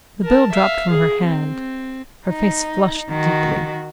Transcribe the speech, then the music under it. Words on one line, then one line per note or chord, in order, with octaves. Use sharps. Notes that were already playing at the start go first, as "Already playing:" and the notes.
The bill dropped from her hand; her face flushed deeply.
A#4 A5
E5 F5
G#4
C4
D#4
D#3 F#4